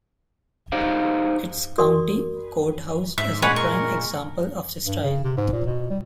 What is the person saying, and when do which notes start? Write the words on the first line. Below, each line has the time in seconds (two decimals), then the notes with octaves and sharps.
Its County Courthouse is a prime example of the style.
0.72 D#4 G4 C5 D5 D#5 F5
1.78 F#4 A#4 D5 C6 C#6 D#6
3.18 G#2 E5
3.42 A#2 G#3 C#4 F#5 G#5 B5
3.56 A#4 C#6
4.86 G2
5.04 C#3
5.24 C3
5.37 G#2
5.53 A#2
5.66 B2
5.90 G3